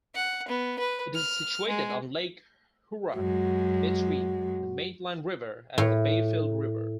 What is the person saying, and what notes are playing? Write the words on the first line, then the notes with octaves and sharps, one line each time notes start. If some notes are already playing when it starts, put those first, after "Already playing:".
It is situated on Lake Huron between the Maitland River and the Bayfield River.
F#5
B3
B4
F6
G#3
F#2 G#3 F#4
A2